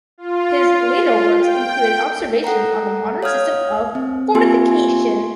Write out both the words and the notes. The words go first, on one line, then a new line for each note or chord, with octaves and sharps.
His later works included "Observations on the Modern System of Fortification".
F4
G5
A4 F#5 G5 A#5
C#5 F5 D#6 F6 G#6
C4
A#3 C4 F4 G4 G#5 C6